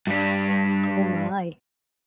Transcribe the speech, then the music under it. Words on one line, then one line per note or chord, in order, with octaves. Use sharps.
Oh my.
G2 G3